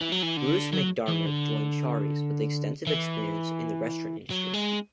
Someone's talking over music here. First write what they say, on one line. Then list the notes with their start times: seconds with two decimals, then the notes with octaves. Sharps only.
Bruce MacDiarmid joined Shari's with extensive experience in the restaurant industry.
0.01 E3
0.12 F#3
0.23 E3
0.37 D3
0.73 F#3
1.08 E3
1.26 D3
2.87 E3
4.30 F#3
4.54 G#3